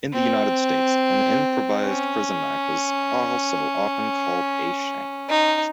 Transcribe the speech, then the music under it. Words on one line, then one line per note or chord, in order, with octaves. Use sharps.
In the United States, an improvised prison knife is also often called a shank.
C4
C#4
D#4